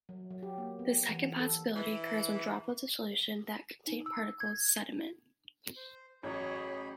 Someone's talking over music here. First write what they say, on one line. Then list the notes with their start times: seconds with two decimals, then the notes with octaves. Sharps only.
The second possibility occurs when droplets of solution that contain particles sediment.
0.09 F#3
0.30 F#3
0.43 G4
0.58 A#3
0.79 B3
1.09 E3
1.40 A4
1.76 E3
3.87 D#4
4.06 E6
4.40 G#6
5.76 C5
6.23 A1 F#3 G#4 C#5 D#5 B5